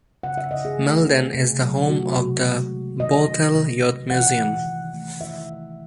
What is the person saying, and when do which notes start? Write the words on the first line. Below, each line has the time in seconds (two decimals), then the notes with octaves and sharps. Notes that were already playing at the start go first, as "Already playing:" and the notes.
Malden is the home of the Bootheel Youth Museum.
0.23 C#3 F#5
0.38 E5
0.51 C#3 D#5
0.65 G#4
0.79 A3
1.06 C#3
1.34 C3
1.62 F#3
1.89 A3 F#4
2.17 C3
2.45 G#3
2.72 D#3
3.00 D#3 D#5
3.27 D#3
3.55 C3
3.83 C3
4.10 E3 F#5
4.27 F#5
4.38 E3
4.66 D#3
4.93 A3
5.21 D#3 E5
5.48 D#3